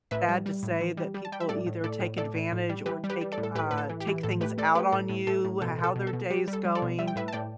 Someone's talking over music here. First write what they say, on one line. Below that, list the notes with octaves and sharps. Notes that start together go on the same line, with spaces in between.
sad to say, that people either take advantage or take uh, take things out on you, how their day is going.
A2 B4 E5
G3
G3
A2
E3
G3
G3
A5
G3 G5
E5
A2 A4 D5
A2
A2 A4 D5
A2
A2 A4 D5
A2
A2
G3
E3 G4 B4
G3
G4 B4
G3
A4 D5
A2
A4
A2 G4 B4
A2 B4
A4
E3
G4
E3
A2 A4
A3 G4 B4
A3 A4 D5
A3 G4 B4
A2 A4
A2
A2 A4
A2
B2 A4
B2
A4
B2
A4
B2
G3 G4
G3
A4
G3
A4 D5
B2
G3 E5
G5
A2 B4 E5
A5
A2 D5 G5